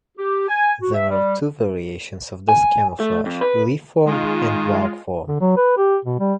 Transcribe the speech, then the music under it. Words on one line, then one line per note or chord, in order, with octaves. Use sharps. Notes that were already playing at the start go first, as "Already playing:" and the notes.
There are two variations of this camouflage: leaf form, and bark form.
G4
G#5
F#4
E5
G3
G#5
A3
F2
B4
D#3 G#3 F4
D3
F#3
B4
G4
B2
G3